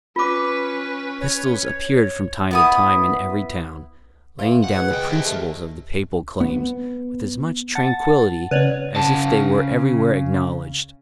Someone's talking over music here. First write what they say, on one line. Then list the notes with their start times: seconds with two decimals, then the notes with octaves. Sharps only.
Epistles appeared from time to time in every town, laying down the principles of the papal claims with as much tranquillity as if they were everywhere acknowledged.
0.16 C#4 F4 B4 D6
1.21 C#5
2.51 B3 E4 D#6
4.39 E3 F4
4.64 B2 F#5
4.75 G#4 B4
4.91 C#2 G#3 G5
5.11 C3 G4 D#5
5.24 A3
6.41 B3
7.75 F#5 A5 A6
8.51 C#3 C#4 B4 C#5 D5
8.96 C#3 A5